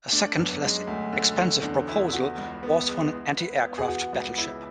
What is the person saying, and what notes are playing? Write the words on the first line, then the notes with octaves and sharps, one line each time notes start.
A second, less expensive, proposal was for an anti-aircraft battleship.
A3 D4
F#2 B3
B3
G#3 C#4
D2 A3
D3 C#4
D3 C#4
E2 D4
E2 E4
E4
E2 F#4
C#2
B3
G#3
E4
B4
B3
G#4
E3 F#4
C#2 F#4
C#3 E4